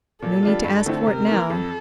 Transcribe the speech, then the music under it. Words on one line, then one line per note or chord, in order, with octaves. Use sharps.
No need to ask for it now!
A#2 A4
G3 D4 F4
G2
D3 A3 C4 E4
C3 A#4
E3 A#3
F2 A4